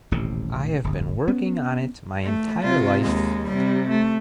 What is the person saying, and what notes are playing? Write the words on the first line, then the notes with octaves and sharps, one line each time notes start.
I have been working on it my entire life.
D#1 A1 A2 C3
D1 G1
B3 C#4
A3
C3 F4
D#2 G#3
C3 G3
A3